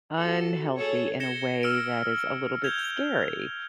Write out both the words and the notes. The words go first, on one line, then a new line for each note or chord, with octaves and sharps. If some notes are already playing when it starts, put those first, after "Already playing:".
unhealthy in a way that is a little bit scary,
F#4 A4
G#4 A4 C#5
G#6 A#6 C#7 E7 G7
E6 F6 A#6 D7
G6 G#6 F7 G7